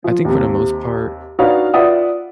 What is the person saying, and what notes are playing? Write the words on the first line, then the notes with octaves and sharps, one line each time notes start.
I think for the most part
F3
D#2 C3
D4 D#4 F#4 B4 C#5 F5
F4 B4 D5 E5 F#5 D#6